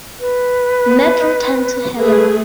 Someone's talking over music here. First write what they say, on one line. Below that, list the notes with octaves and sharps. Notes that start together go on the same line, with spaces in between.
Nat returned to Helen.
B4
A3 G#4 B4